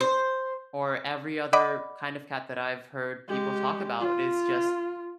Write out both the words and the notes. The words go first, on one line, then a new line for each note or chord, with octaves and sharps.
or every other kind of cat that I've heard people talk about is just,
C5
D5 D#5 F#5 B5 D6
G#3 G4
F4